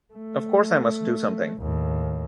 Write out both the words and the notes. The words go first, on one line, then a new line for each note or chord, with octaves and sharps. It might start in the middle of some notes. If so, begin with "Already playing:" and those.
Of course I must do something.
A3
D#2 A2